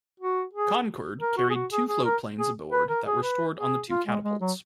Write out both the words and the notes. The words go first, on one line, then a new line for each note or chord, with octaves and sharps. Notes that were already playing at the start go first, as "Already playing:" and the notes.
"Concord" carried two floatplanes aboard that were stored on the two catapults.
F#4
G#4
A#4
F#4
G#4
F#4
G#4
G#4
A#4
G#4
B4
A#4
G#4
B4
G#4
F4
G#3
G#3
F#3